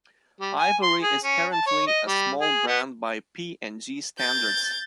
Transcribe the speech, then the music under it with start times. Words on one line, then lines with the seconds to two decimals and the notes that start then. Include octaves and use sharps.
Ivory is currently a small brand by P and G standards.
0.41 G3
0.58 G#5
0.83 C6
1.01 G#4
1.24 C#4
1.53 A5
1.66 C#5
1.87 D#5
2.07 G3
2.41 G#4
2.67 B3
4.18 G6 A6